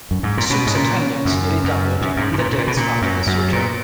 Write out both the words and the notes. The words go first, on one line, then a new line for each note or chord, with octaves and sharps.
The zoo's attendance nearly doubled in the days after his return.
F#2
G#2
A#2
B2 C#4
G#2
A#2 C#3
C#4
F#2 C#3
C#3
F#2
C#3
F#2 C#3
F#2
G#2
C#4
B2
A#2
G#2 C#3
A#2
B2
A#2 C#4
F#2 C#4
F#2 F#3
A#2 B3